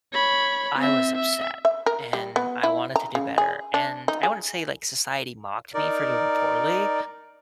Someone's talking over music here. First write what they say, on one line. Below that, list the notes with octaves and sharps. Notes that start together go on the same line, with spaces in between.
I was upset, and I wanted to do better. And I wouldn't say, like, society mocked me for doing poorly,
C#5 B5
C4 E5
E5
E5
A#4
G3
B3
E4
A#5
C#3
G#4
D4
D#4
G#4
D#4 A#4 D5